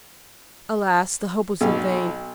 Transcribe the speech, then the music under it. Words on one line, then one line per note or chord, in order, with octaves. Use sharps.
Alas! the hope was vain.
B1